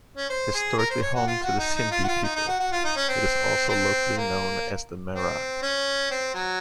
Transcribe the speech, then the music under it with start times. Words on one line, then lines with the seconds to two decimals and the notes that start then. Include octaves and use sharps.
Historically home to the Sindhi people, it is also locally known as the Mehran.
0.17 C#4
0.29 C5
0.54 G#4
0.78 A#4
0.90 C5
1.02 C#5
1.15 F#4
1.27 F4
1.43 F#4
1.59 D#4
1.75 D#4
1.91 F4
2.04 F#4
2.08 F4
2.23 D#4
2.35 D#4
2.48 F#4
2.59 F#4
2.72 F4
2.84 D#4
2.96 C#4
3.08 C4
3.68 C4
4.17 A#3
5.14 C4
5.62 C#4
6.10 C4
6.34 F#3